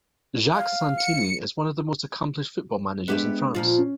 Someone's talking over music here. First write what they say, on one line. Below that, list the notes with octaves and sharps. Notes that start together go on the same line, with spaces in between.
Jacques Santini is one of the most accomplished football managers in France.
F5
C#7
G#3 B3 D4 G4 E5
A#2 F3 F4
C#4